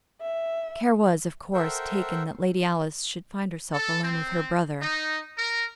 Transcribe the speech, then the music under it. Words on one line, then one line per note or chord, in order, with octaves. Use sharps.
Care was, of course, taken that Lady Alice should find herself alone with her brother.
E5
A4 A#4 C5 E5 F#5 G5
A4
C4
D#4
A#4